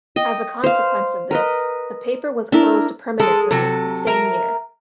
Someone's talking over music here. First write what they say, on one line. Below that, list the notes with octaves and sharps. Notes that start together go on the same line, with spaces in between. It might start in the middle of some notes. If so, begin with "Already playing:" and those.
As a consequence of this, the paper was closed permanently the same year.
D#5 G5
C5 F5
A#4 B4 D#5
D4 E4 A#4
G#3 A4
C3 F#3 A4
A#4 E5 A#5